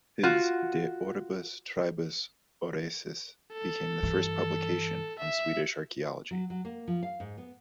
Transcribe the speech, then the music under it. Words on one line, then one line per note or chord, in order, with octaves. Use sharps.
His "De orbibus tribus aureis" became the first publication on Swedish archaeology.
F4 F#4
A4
G2 E3
E5
F#3
F#3
A#3
F3
F5
G#2
B3